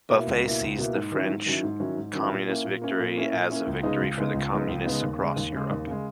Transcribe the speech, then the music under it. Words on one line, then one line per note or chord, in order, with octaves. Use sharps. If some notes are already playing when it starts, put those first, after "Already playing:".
Buffet sees this French Communist victory as a victory for communists across Europe.
B2 A#3 E4
C#2
B2 A#3 E4
C#2
B2 A#3 E4
G#2
D#3 F#3 C#4 E4
G#2
D#3 F#3 C#4 E4
G#2
D#3 F#3 C#4 E4
G#2
D#3 F#3 C#4 E4
A#2
A#3 C#4 E4
A#2
A#3 C#4 E4
A#2
A#3 C#4 E4
A#2
A#3 C#4 E4
C#2
C#3 G#3 B3 D#4
C#2
C#3 G#3 B3 D#4
C#2
C#3 G#3 B3 D#4
C#2
C#3 G#3 B3 D#4
D#2
C#3 G#3
D#2
C#3 G#3
D#2
C#3 G#3